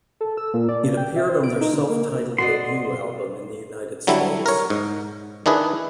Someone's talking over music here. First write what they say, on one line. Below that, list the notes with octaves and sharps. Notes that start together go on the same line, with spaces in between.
It appeared on their self-titled debut album in the United States.
A4
E6
A#2
D5
C#3
G5
E5
C5
D7
D#4
D3
A#3
F#4 D5 D#5 C6
D3 F#3 G3 E4
A#4 C#5
G#2
D#3 D4 E4 G#4 B4